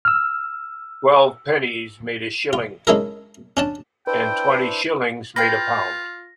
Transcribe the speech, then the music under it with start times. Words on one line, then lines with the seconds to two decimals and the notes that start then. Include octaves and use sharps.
Twelve pennies made a shilling, and twenty shillings made a pound.
0.05 E6 F6
2.53 F4
2.87 G#3 C#4 D#4 E4 A4 A#4
3.57 C#4 D4 A5
4.07 D4 E4 B4 C5 G5
5.36 F4 B4 F5 G5 A#6